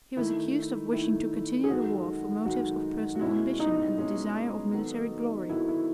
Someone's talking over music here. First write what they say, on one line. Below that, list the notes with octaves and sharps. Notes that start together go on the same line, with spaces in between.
He was accused of wishing to continue the war from motives of personal ambition and the desire of military glory.
D#3 A3 D#4 E4
D#3 A3 D#4 E4
G#4
F#2 D#3 G#3 D#4 F#4 A4
F#2 D#3 G#3 D#4 F#4 A4
F#4
B2 G#3 C#4 E4
D#4
B2 G#3 C#4
D#3 F#3 B3 F#4 A4
D#3 F#3 B3 E4 F#4 A4
E4